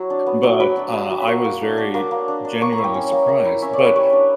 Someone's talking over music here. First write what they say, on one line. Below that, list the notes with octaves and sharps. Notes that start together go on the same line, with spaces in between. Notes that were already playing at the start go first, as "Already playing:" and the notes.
But, uh, I was very, genuinely surprised, but
Already playing: F#3 E4
D4
B3
F#3
F#3 B5
D4
B3
F#3
B5
A#3 C#6
A#3
D4
D4
A#3 D6
A#3
D4
D4
A#3 C#6
A#5
E4
G5
C#4
A#3
A#3
E4
C#4 E5
D5
A#3
B4
G3 C#5
D4